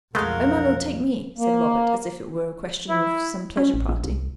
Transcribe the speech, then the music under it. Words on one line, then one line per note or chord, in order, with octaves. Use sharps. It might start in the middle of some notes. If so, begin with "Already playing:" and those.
"Oh, my Lord, take me," said Robert, as if it were a question of some pleasure party.
B1 F2 G#3 A3 A#4 D#5 F5 F#5
A#3
E4
C#4
A1
A#1
C2